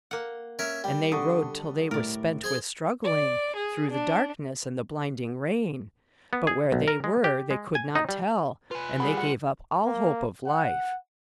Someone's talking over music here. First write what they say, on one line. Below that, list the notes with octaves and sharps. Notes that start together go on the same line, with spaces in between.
And they rowed till they were spent with struggling, through the darkness and the blinding rain, but where they were they could not tell, and they gave up all hope of life.
A#3 F#5
C#4 A#4 C#5 E5
G3 G5
D3 F#5 C#6 D#6
A2 A#4 D5
G#4 C5 G#5
D5
G#4
D4
B3
G#4
B1
A#4
G#3
G4
G#3
G#5
D#4
G3
F4 B4 G#5
G3 G#4 F#5 B5
F#5
A#3
F#5